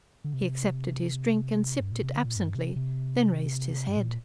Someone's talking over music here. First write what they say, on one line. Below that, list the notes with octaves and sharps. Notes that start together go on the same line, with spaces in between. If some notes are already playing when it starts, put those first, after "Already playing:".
He accepted his drink and sipped it absently, then raised his head.
D3
C3
G2
A#2
C3
D3
A#2
G2
C3
C3
G2
A#2